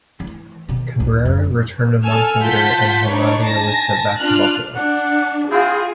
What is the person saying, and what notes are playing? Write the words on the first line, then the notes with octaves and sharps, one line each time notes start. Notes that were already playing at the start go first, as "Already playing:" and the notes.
Cabrera returned a month later, and Velandia was sent back to Buffalo.
E3 A3
B2 D#3
D2 A2
F#2
G2
A4 G#5 E6 F6
F4 F#5 A5 G6 B6
D4 D#4 B4 C#5
G#5 A5 A#6
D4 F4 F6 F#6
D4 F#5
C4 E4 F4 G#4